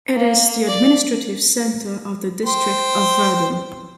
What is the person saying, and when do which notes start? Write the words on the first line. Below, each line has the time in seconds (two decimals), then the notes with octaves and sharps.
It is the administrative centre of the district of Verden.
0.13 A#3
0.68 D5
2.45 C5 G5 C6